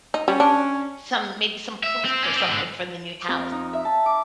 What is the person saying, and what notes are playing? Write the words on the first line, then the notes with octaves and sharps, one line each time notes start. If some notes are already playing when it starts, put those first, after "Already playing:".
some maybe some plates, or something for the new house, or
D#4
G3 C#4
D4
E5
C4
C#4 D5
C4 G#4
G#2 D3
F2
D#4
E5
A5
D6